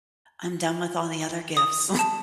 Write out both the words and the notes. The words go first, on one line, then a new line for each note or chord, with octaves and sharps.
I'm done with all the other gifts."
D#6
A5